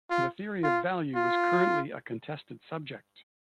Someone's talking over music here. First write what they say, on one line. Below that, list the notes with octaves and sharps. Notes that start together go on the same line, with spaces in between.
The theory of value is currently a contested subject.
F4
F4
F4